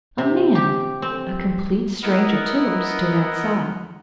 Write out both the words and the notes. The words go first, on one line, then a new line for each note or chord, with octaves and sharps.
A man--a complete stranger to her--stood outside.
C3
G4
C4
B3 E4 A#4 D#5 F#5